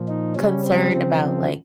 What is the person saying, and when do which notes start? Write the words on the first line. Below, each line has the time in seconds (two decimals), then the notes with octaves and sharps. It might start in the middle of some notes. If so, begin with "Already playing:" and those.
concerned about, like,
Already playing: A#2 F3
0.08 D#4
0.36 C#3 G3 C#4
0.64 C4
0.92 C#3 F3 C4
1.21 C4